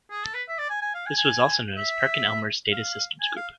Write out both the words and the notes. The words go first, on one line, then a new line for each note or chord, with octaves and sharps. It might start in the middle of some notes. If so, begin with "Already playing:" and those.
This was also known as Perkin-Elmer's Data Systems Group.
G#4
A4
B4
E5
D5
G#5
G#5
F5
G#5
G#5
E5
F5
G#5
F5